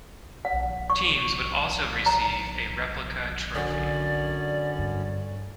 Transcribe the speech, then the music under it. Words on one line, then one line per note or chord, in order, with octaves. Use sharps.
Teams would also receive a replica trophy.
F#5
C#6
A#5
F#2 D3 C#4 D5
G2